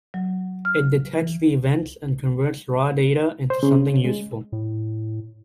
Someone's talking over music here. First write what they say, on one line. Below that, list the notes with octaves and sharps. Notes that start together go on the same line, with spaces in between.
It detects the events and converts raw data into something useful.
F#3
F6
E3
C5
C#3
G#3
A2